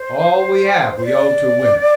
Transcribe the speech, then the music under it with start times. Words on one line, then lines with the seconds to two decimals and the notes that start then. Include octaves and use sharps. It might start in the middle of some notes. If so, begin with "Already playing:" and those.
All we have we owe to women.
Already playing: C5
0.97 C5
1.04 D5